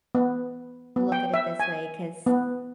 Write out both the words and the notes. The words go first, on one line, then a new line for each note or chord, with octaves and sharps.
look at it this way 'cause
B3
B3
G5
E5
G#5
B3